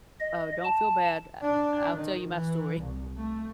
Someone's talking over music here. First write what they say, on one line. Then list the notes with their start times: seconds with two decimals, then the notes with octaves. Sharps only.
Oh, don't feel bad, I I'll tell you my story,
0.20 D#5
0.65 A5
1.42 D4
1.98 D#3
2.29 E3
2.79 C2
3.17 A3